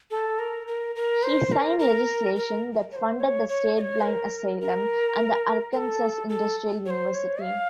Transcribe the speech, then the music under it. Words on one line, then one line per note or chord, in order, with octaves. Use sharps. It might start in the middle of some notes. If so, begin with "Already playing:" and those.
He signed legislation that funded the State Blind Asylum and the Arkansas Industrial University.
A4
A#4
A#4
A#4
C5
A#4
A#4
A#4
C#5
C5
C#5
C#5
D#5
C#5
A#4
A#4
A#4
A4
A4
C#5
C5
C#5
F5